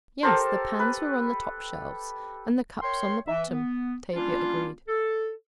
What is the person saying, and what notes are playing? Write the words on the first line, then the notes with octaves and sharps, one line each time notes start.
"Yes, the pans were on the top shelves and the cups on the bottom," Tavia agreed.
G4 A4 A#4 C5
B4
A#4 C#5 G5 C6
E3 E5
B3
G3 A#3 C#4 D4 F4
A4